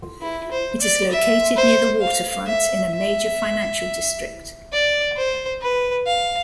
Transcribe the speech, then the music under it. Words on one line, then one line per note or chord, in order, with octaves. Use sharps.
It is located near the waterfront, in a major financial district.
E4
C5
D5
E5
C5
F5
E5
E5
D5
C5
B4
F5